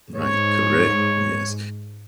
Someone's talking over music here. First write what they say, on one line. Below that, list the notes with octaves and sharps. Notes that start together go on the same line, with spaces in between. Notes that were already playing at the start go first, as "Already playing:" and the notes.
Right, correct, yes,
G#2 C#5